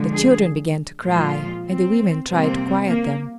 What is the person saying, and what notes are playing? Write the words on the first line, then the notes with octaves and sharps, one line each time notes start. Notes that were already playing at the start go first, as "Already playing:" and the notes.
The children began to cry, and the women tried to quiet them.
Already playing: D3 F3 G#3
G#4
A#2 F3 G#3 F4
C4
C3 G3 A#3 C4
A#3